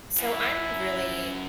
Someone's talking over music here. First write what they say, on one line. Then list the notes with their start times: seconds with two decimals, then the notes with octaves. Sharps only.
So, I'm really
0.19 F#2 E4